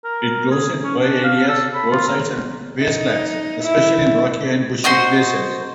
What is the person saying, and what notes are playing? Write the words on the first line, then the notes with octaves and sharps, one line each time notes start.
It grows in dry areas, roadsides and wastelands, especially in rocky and bushy places.
A#4
G#4
C#4
D4
F5
A4
B5
F4
A#4
D#4
E4
D#4 F#4 C5 C6